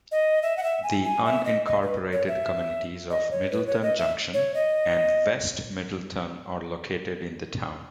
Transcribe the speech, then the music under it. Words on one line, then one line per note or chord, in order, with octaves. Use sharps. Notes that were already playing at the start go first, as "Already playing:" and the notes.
The unincorporated communities of Middleton Junction and West Middleton are located in the town.
D#5
E5
F#5
E5
G#5
G#5
E5
D#5
D#5
B4
C#5
E5
D#5
C#5
B4
C#5
D#5
E5
C#5
D#5